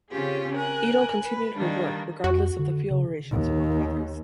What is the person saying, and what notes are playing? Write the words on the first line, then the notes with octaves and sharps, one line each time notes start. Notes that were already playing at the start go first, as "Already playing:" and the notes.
Edel continued her work regardless of the fuel rations among others.
C#3 C4 C#4 F4 G4 G#4
A#4 G#5 F#6
B4
D#3 G3 A#3 D4
F2 F#4
D3
C#3
D#2